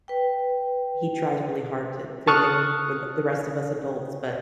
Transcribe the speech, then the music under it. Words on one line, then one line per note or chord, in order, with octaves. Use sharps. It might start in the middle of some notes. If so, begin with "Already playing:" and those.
he tries really hard to fit in with the the rest of us adults, but
B4 G5
A5 C#6 D#6 F6 F#6